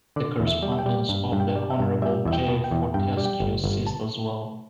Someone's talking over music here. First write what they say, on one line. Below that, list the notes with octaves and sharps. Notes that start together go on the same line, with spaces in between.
The correspondence of the Honorable J. Fortescue ceased as well.
D3 D5
E2
E5
G3
E5
G5
G3
G2
G2
G5
G3
E5
G2
G3 E5
E2 E5
G5
B2
G5
E2
G2 G5
G3
G5
G1
G1
A5